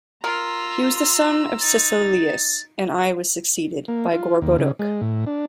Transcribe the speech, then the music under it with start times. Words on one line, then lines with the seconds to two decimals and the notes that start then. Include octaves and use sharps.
He was the son of Sisillius I and was succeeded by Gorboduc.
0.24 F4 A#4 A#5 C6 E6
1.61 D#4 A6
3.88 A#3
4.13 F4
4.42 D#2
4.59 C#3
4.79 G#3
5.01 A2
5.27 D4